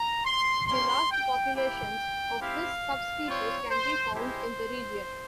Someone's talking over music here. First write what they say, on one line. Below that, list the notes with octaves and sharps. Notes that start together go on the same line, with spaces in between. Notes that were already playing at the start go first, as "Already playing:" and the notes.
The last populations of this subspecies can be found in the region.
Already playing: A#5
C6
A#3 C#4 G4 C6
G5
A#3 E4 G4 G5
C4 E4 G4 F5
G3 C4 F4 C#5
C5
G#3 E4 G4 C5